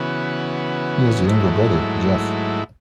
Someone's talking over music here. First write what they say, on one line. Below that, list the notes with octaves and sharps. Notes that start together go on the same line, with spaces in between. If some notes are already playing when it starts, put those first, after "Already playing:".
He has a younger brother, Jeff.
Already playing: C#3 E3 B3 F#4
G#2 F#3 A3 E4